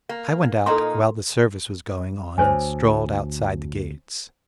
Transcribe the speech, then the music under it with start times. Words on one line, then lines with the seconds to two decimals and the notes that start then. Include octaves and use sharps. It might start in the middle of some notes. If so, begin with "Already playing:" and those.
I went out while the service was going on and strolled outside the gates.
0.09 A#3
0.66 A#2 A#3 D#4 A4 A#5 C6
2.38 D2 C5 C#5 G#5